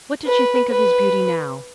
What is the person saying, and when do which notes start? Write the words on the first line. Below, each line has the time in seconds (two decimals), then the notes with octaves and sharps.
What did she think of his beauty now?
0.26 B4
0.69 B4